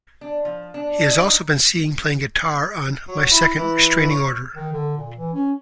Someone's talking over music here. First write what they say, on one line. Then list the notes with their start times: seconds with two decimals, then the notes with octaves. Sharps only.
He has also been seen playing guitar on My Second Restraining Order.
0.21 D4
0.45 F3
0.74 D4
1.09 D#4
3.08 F#3
3.31 E4
3.58 E3
4.10 C#5
4.56 D#3
4.73 D3
4.97 A#2
5.17 E3
5.34 C#4